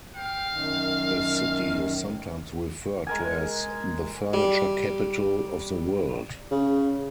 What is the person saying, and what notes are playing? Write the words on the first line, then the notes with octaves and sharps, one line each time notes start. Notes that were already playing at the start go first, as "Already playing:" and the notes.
The city is sometimes referred to as the "Furniture Capital of the World".
F5 G5
F#2 D#3
G#3 A#4 G#5
G3
C#3